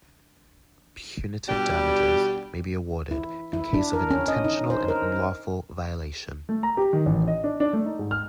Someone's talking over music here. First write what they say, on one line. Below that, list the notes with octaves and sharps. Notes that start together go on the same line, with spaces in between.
Punitive damages may be awarded in case of an intentional and unlawful violation.
B2 G3 D4 G4
E4
E4
D4
A#4
C#4
D#5
D#4
C5
A#4
A3
A#5
G4
D#3
A1
D#5
D4
D4
A3
D#4
G#2
F6